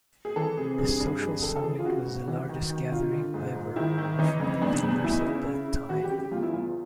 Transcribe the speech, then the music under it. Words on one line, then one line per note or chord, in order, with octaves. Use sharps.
The Social Summit was the largest gathering ever of world leaders at that time.
G#4
E3 A4
C3 G#4
G2 G#4
G2
F2 G#4
D3 A4
A4
E3 G#4
F4
C#3 F#4
G#2
E3
D#3
D#3
D3 F4
D3
G#2
G#2
D#3 E4
D#3
E3 D#4
F2
E2 D4
E2
E2 E4
D#4
E4
C#3
C#3
C#3
E3 F#4
G4
C#3
G4
E2 F4
E4
E2 F4
F4